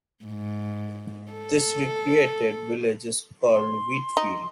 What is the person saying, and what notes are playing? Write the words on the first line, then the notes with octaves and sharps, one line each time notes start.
This recreated village is called Wheatfield.
G#2
A4
C6
D#4